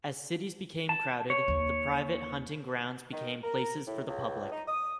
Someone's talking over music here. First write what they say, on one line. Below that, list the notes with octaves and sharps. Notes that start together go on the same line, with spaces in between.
As cities became crowded, the private hunting grounds became places for the public.
A5
C#5
D#2 A#3
D#3
A#4
A2
C#2
D#4
D#6